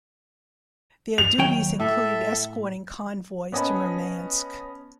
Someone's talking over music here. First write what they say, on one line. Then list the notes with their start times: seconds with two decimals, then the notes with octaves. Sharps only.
Their duties included escorting convoys to Murmansk.
1.18 F7
1.38 D#2 F#3 G5
1.80 A2 A4 E5
3.52 B3 C#4 D#5 G#5 A5 B5